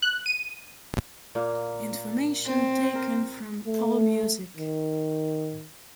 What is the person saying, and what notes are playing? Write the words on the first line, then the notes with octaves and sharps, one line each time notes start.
Information taken from Allmusic.
F#6
D#7
A#2 A#3
C4
A#4
A3
D#3